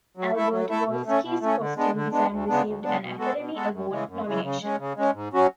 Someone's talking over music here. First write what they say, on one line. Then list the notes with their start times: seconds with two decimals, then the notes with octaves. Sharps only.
Albert Wolsky's costume design received an Academy Award nomination.
0.17 F#3
0.34 A3 E4 A4 E5
0.52 F#3
0.69 A3 E4 A4 E5
0.88 B2
1.06 A3 C#4
1.24 B2
1.41 A3 C#4
1.59 D3
1.77 G#3 B3 D4
1.94 D3
2.12 G#3 B3 D4
2.30 D2
2.48 C#3 G#3 B3 D4
2.65 D2
2.83 C#3 G#3 B3 D4
3.02 B2
3.19 G#3 B3 F#4 A4
3.36 B2
3.55 G#3 B3 F#4 A4
3.72 F#2
3.90 C#3 E3 G#3
4.08 F#2
4.26 C#3 E3 G#3
4.43 C#3
4.62 G#3 C#4
4.79 C#3
4.97 G#3 C#4
5.14 G#2
5.33 F#3 C#4 F#4